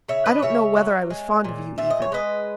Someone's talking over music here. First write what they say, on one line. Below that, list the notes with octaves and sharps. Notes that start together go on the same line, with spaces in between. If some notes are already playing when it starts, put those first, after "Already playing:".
I don't know whether I was fond of you even.
C#3 C#5 E5
B4 D#5
C#3 C#5 E5
F#3
G#3
A#2
A#2 E5
D#5
C#5
G#3 B4 D#5